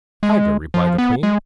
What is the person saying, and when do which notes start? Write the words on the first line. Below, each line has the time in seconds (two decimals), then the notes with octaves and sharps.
'Tiger?' replied the queen.
0.23 G#3
0.74 F3
0.98 B3
1.23 G#3